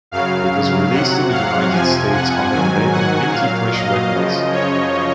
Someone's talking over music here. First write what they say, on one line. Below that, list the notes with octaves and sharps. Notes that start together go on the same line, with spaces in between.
It was released in the United States under the label Minty Fresh Records.
F#2 C#3 F#3 F5
F2 C3 F#3 F#5
F5
F2 C3 F3 G#5
F#5
G#2 D#3 F#3 G#5
F#5
A#2 F#3 F5
D#5
F#2 C#3 F3
C#5